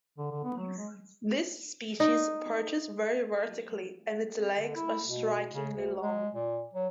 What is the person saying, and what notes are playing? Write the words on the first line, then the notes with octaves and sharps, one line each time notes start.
This species perches very vertically, and its legs are strikingly long.
D3
D3
B3
F#3
G#3
D#4
D3
E4
B2
C#3
D2
G#3
A#2
F#3